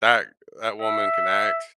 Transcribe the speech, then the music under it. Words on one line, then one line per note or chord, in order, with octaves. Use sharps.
that that woman can act
E5